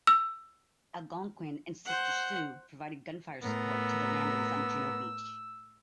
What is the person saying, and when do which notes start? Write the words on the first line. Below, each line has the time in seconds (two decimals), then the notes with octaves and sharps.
"Algonquin" and sister "Sioux" provided gunfire support to the landings on Juno Beach.
0.07 E6
1.85 C5 F#5
3.43 A2 B3 A#4 E6